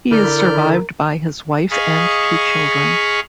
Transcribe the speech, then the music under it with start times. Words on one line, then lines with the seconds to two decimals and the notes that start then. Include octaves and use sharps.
He is survived by his wife and two children.
0.11 D3 E4 A#4 D5 F6 G6
1.71 G#4 D#5 F5 B5 C#6